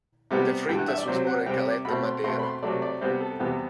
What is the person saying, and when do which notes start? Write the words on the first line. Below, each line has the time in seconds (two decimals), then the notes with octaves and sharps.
De Freitas was born in Calheta, Madeira.
0.31 C3 G3 B3
0.69 G2 E3 G3 G5
0.79 F#5
0.88 E5
0.98 D5
1.08 C3 F#3 C4 C5
1.27 F#5
1.46 C3 G3 C4 G5
1.65 D6
1.85 B2 A3 C4 B5
2.05 C6
2.24 B2 A3 C4 C6
2.39 B5
2.43 C6
2.63 C3 F#3 A3 D5
2.82 D5
3.01 C3 G3 B3 C5
3.20 A4
3.39 E2 C3 G3 B3 G4